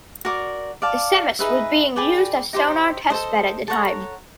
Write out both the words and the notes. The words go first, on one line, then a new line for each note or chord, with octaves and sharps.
The "Semmes" was being used as a sonar testbed at the time.
F#4 A#4 D5
D5 F5 A5
D#4 G#4 B4 E5
G#4 B4 D5 G5
D#4 G4 C5
A4 C5 D#5
A4 C#5 F#5 A#5